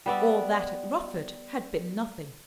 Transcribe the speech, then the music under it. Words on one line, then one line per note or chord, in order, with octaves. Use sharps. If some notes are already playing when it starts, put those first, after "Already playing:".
All that at Rufford had been nothing.
G3 B3 D5 E5